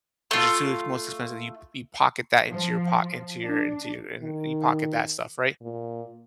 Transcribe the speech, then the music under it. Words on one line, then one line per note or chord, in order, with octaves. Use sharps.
which is too the most expensive. You you pocket that into your pock into your into your and pocket that stuff, right,
A3 F4
F3
D4
D#3
A#2